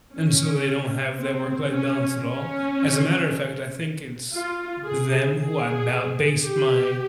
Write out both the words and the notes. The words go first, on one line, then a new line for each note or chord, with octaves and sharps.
and so they don't have that work-life balance at all. As a matter of fact, I think it's them who I mou base my
C#4
C4
C#4
C#4
F4
G#4
G#4
G4